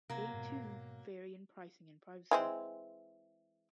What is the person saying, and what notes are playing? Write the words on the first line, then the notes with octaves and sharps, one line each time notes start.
They too vary in pricing and privacy.
C3 F#3 A#3
G#2 B2
E3 G#3 C4